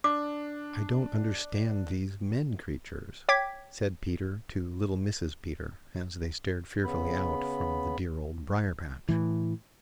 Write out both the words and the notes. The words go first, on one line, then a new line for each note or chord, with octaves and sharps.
"I don't understand these men creatures," said Peter to little Mrs. Peter, as they stared fearfully out from the dear Old Briar-patch.
D4 D6
C#5 G5 D6 G#6 B6
C#3 B3 B5
A2 E3